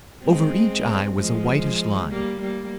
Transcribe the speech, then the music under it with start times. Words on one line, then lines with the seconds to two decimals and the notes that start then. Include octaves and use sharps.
Over each eye was a whitish line.
0.22 G#3 C4
1.16 F3 G#3
2.10 G3 A#3
2.41 G3 A#3